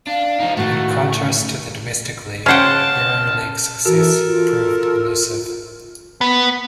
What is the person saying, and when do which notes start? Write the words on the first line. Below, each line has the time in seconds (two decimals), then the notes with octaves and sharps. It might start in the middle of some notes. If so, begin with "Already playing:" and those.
In contrast to the domestic league, EuroLeague success proved elusive.
0.07 D4 F5
0.40 F3 D#4
0.57 A2 D#3 A3 F#4
2.46 C#3 C#4 C5 F#5 G5 A5 F6
3.86 E3 F#4 A4 A#4
4.26 F4
6.21 B3